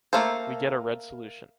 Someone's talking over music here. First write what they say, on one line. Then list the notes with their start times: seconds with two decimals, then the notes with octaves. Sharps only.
We get a red solution.
0.13 A3 A#3 A4 C5